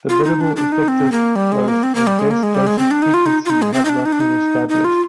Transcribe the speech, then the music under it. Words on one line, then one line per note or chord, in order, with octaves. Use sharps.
The minimal effective dose and best dosage frequency have not been established.
F4
D#4
D4
D4
D#4
C4
A#3
G3
G#3
A#3
C4
A#3
G3
G#3
A#3
G#3
G3
G#3
C4
D4
D#4
F4
D#4
F4
D#4
G#3
C4
D#4
D4
D#4
D4
D#4
D#4
F4